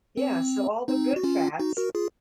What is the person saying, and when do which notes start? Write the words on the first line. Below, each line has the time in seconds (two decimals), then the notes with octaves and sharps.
Yeah. So, all the good fats
0.17 C4
0.88 C4 D#4
1.16 F#4
1.24 C#4 F4
1.59 D#4 F#4
1.77 F#4 A#4
1.95 F4 G#4